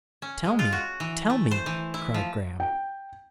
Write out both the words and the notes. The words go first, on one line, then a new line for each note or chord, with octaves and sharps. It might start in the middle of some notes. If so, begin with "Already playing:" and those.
"Tell me, tell me!" cried Graham.
C#4
G#3
F4
F#4
E3
A3
C5
E3
E4
F3
G5